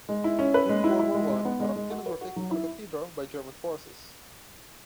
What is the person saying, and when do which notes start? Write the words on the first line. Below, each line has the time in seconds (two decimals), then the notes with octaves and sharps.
During World War One, other panels were taken from the cathedral by German forces.
0.09 G#3
0.24 E4
0.39 C#4
0.54 B4
0.69 G#3
0.84 E4
0.99 E4
1.15 G#3
1.30 G#3
1.45 B3
1.60 G#3
1.76 G#3
1.91 F#4
2.06 B4
2.21 F#4
2.36 F#3
2.51 E4